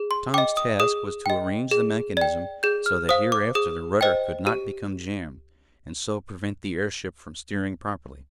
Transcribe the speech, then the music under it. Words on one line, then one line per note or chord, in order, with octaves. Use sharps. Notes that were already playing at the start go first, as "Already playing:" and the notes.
Tom's task was to arrange the mechanism so that, hereafter, the rudder could not become jammed, and so prevent the airship from steering properly.
Already playing: G#4
C6
D#5 G5 D6
D#6
G#4 D#6
D#5 G5
G#4
D5 G5
G#4 G6
F6
C5 F5 D#6
D6
G#4 D#6
C5 D#5 G5
G4